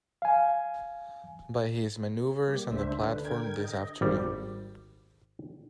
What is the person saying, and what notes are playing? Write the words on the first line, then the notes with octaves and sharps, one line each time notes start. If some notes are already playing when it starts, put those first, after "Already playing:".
By his manoeuvres on the platform this afternoon.
F5 G#5
G3 A#3 G4
C#2 D4 C5 E5
D3 D4 B4
A#4 G5 G#6
D#5
G#1 G3